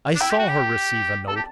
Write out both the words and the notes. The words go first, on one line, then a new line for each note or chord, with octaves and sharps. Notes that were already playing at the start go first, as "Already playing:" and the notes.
'I saw her receive a note.
D4
E4 G5
G4
F#4
G4
A4 A5
G4